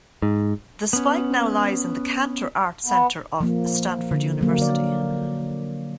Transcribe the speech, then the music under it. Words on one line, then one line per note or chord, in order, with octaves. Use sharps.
The spike now lies in the Cantor Arts Center at Stanford University.
G#2
B3 C#4
B3
F3 A#3
D3
F#3 A#3
D3 D5